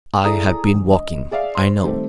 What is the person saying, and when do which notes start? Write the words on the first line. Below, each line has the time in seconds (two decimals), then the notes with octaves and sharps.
I have been walking, I know.
0.24 E4 G#4 A4 D5 A#5 D#6
0.74 E1
0.91 D#5
1.31 G#4 D5 E5 F5
1.55 C5 C6
1.83 D#3 G3 A3 C4 G4